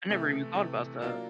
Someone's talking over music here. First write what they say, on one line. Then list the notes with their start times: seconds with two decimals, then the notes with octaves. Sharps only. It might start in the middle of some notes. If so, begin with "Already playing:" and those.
I never even thought about that.
0.10 C3 E3 A3
0.55 C3 E3 A3
1.01 F#3 A#3 D4 F4